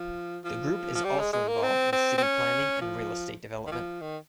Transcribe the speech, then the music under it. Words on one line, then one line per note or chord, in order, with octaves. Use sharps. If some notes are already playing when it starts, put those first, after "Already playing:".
The group is also involved in city planning and real estate development.
Already playing: F3
F3
F3
G3
G#3
G#3
A#3
C4
C4
C4
C#4
F3
D#3
F3
D#3